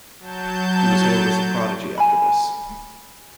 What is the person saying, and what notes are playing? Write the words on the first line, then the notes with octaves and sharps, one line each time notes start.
He was hailed as a prodigy after this.
F#3 A5 G6
G#5 B5